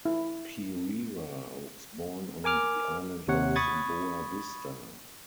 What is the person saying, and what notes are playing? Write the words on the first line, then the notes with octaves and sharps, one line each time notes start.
Pereira was born on the island of Boa Vista.
E4
A#4 G#5 D6 F6
D#2 C3 C#5 F#5
B5 C#6 D#6 G#6 A6